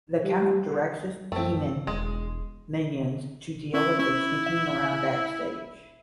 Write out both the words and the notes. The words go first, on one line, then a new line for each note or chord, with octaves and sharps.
The Count directs his demon minions to deal with those sneaking around backstage.
G3
F#2 A3 C4
E1 G#3
C#4 E4
C#4 E4
E5